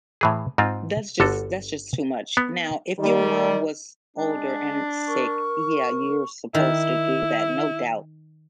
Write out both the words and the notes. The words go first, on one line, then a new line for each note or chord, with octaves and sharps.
That's just that's just too much. Now, if your mom was older and sick, yeah, you're supposed to do that, no doubt.
A2 E3 G#4
G#2 C4 F4
G1 D3 F#4 A4
B3
D#3 G3
G#3 D4
A#4 C#6
D#3 E4